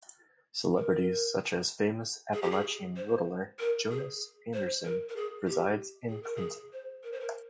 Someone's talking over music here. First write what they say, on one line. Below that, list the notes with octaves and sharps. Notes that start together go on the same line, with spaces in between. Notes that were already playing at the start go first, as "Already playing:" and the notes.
Celebrities such as Famous Appalachian Yodeler Jonas Anderson resides in Clinton.
A#4
G#4
G4
G#4
C5
A#4
G#4
C5
A#4
A#4
G#4
G4
G#4
A#4
G#4
C5
A#4
C5
A#4